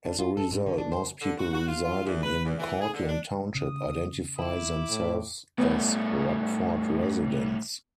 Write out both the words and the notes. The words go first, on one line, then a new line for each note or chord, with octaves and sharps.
As a result, most people residing in Courtland Township identify themselves as Rockford residents.
D4
F4
A4
G#2
D3
D4
C5
D3
F#4
F#4
F4
F4
E2
B4
E2
E3
G#4
D3
D4
C#3 D#6
E4 D6
A2
A2 G3 A3 B3